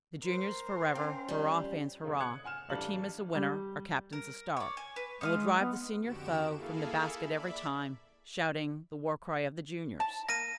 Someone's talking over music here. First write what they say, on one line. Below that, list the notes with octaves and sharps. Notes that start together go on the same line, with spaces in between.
"The juniors forever, hurrah, fans, hurrah! Our team is a winner, our captain's a star. And we'll drive the senior foe, from the basket every time. Shouting the war cry of the juniors."
A#4 C5
C#4 F5 G5
F2 G3
F1 C#3
D#6 F#6 G#6 C#7
F#5 G#5 F6 E7
A1 G3 D4 F5 A5 F#7
G3
A#4
C#5 D5
G#5
B4
G#3 D#4 F5 D#6
B3
F2 D3 F#4 G4 D7 E7
A#3 E4 G#4 A4 F5
D5 E5 B5
A5
A#3 A#6 D#7